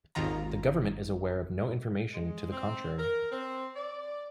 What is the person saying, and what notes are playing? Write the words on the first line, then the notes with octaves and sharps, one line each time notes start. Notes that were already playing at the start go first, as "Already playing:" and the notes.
The government is aware of no information to the contrary.
G#1 D#2 D#3 F4 A#5
G#3
C4
A#4
C4
D5